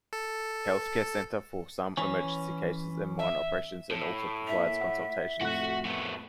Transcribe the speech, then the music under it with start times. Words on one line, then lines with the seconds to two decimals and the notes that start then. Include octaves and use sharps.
Healthcare center for some emergency cases and minor operations and also provides consultations.
0.13 A4
1.97 E3 C#4
3.19 E5
3.91 A2
4.47 A#3 E4 E5 F7
4.81 F#5
5.41 F2 A2 F#4 F#5 F#6
5.85 A3 B3